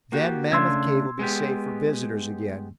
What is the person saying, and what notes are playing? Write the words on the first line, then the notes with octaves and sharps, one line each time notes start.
Then Mammoth Cave will be safe for visitors again.
A#3 F#4 G4
C#3 A3 D4 C6 E6 G#6
G#3 B3 G4